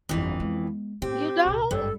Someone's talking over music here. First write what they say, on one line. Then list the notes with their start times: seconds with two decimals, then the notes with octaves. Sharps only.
You don't?
0.09 G1 F2 E3 G3
0.40 G#3 B3
1.02 A2 C4 G4
1.45 C2 A#2
1.71 G#1 G2 A4